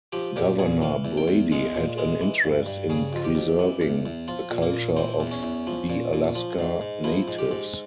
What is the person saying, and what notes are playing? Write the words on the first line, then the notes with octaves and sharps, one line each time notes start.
Governor Brady had an interest in preserving the culture of the Alaska natives.
F3 G4
A#2 G4
A#2 G#4
E3 F5
E2
G5
E2
G#3 F5
A#2
G#3
E3
G2
G2
C#3 G#4
F2 F4
G4
F2
E3
E2
E2
F3 F4
A#2
A#3
A#2
E3 C4
E2
C#4
E2
F3
A#2
A#2
F3
G#2
G#2
F3 E4
G#2
G4
G#2